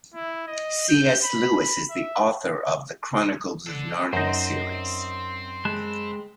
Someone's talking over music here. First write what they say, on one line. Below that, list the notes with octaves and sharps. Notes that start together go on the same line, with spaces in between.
C.S. Lewis is the author of The Chronicles of Narnia series.
E4
D#5
G6
B5
B5
E5
D4 A4
F#2 C4 D#4 C5 D#5
G#3 A5 B5 F#6